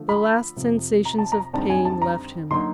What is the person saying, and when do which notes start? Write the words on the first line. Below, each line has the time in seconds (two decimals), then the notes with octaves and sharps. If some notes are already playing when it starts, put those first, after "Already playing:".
The last sensations of pain left him.
Already playing: D3 F3 A3
0.09 B5
0.56 F2 C3 F3
1.05 A#5
1.18 A5
1.32 A#5
1.53 F2 D3 G3 C4 D#4 A5
1.70 G#5
1.85 A5
2.02 A#5
2.51 D3 F#3 A#3 D#4 C6